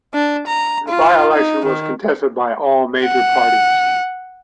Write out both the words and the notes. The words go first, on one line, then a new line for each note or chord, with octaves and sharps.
The by-election was contested by all major parties.
D4
A#5
F4
D#4
D#3
F#5